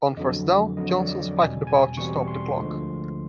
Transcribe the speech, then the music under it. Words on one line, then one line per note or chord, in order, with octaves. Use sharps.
On first down, Johnson spiked the ball to stop the clock.
F2 D3 F#3 D#5
F2 D3 F#3 D#5
C#5
D5
D#5
E2 B2 G3 C4 G#5
G#5
E2 B2 G3 C4 C#6
C6
D2 D3 F3 G#3